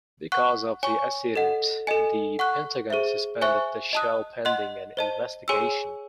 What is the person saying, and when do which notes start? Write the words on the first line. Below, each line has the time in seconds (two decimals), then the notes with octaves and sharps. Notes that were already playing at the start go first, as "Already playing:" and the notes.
Because of the accident, the Pentagon suspended the shell pending an investigation.
0.32 F#5 C#6 F#6
0.83 C#5 G#5 C#6
1.35 A4 D#5 F#5
1.87 A4 D#5 G#5
2.39 F#5 C#6 F#6
2.90 G#4 C5 E5
3.42 C5 E5 G#5 C#6 F#6
3.93 D#5 A5 D#6 F#6
4.45 D#5 F#5 C6 F#6
4.97 C5 D#5 A5
5.48 G#4 C#5 G#5 C6 E6